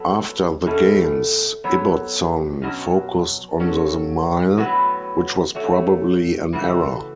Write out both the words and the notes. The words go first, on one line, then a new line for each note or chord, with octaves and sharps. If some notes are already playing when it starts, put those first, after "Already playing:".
After the games, Ibbotson focused on the mile, which was probably an error.
Already playing: F#3 B3 F#4 A4
B2 A3 C#4 A4
F#3 B3 A4 C#5
B2 F#3 C#4
F#3 C#4 A4 C#5
A2 F#3 B3 F#4 B4
A3 F#4 C#5
C#3 E3 A3 F#4